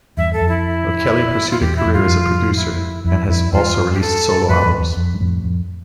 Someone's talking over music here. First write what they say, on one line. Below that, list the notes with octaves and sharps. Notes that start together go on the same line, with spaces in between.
O'Kelly pursued a career as a producer and has also released solo albums.
E2 G2 E5
A4
F2
E4
F4
E2 G4
E4
F2
G2 F4
F2
E4
F2 E4
F2 E4
E2 G2 F4
G4
A4
F2 A2 B4
E2 G2
E2
F2
G2
F2 A2
F2